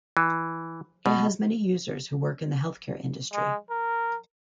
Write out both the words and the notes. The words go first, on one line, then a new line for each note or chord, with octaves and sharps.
It has many users who work in the healthcare industry.
E3
B2
G#3
A#4